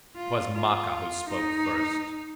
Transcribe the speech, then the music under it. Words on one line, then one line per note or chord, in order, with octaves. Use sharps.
'Twas Maka who spoke first.
F4
F4
D#4